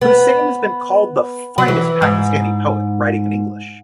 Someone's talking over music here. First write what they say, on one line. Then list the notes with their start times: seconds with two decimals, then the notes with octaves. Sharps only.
Husain has been called the finest Pakistani poet writing in English.
0.01 B3
1.58 F#3
1.68 E3
2.02 G#2